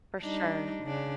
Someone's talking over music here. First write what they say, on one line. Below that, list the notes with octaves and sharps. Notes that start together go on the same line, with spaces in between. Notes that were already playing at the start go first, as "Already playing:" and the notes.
for sure.
G3 D4 D#4
C#3 D4